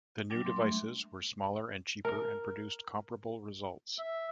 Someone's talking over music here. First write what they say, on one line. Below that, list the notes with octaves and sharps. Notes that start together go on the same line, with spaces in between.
The new devices were smaller and cheaper and produced comparable results.
F#3 G3 D4
A#3 C6
A3
A#4
E5